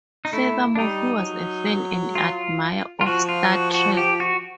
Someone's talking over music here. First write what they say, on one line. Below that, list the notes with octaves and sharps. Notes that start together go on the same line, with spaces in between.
Furthermore, he was a fan and admirer of "Star Trek".
D#4
A3 E4
D4
G3 D#4
F3
F#3
F4
F4
F3 F#4
F4
F#4
F#4
G4
F#4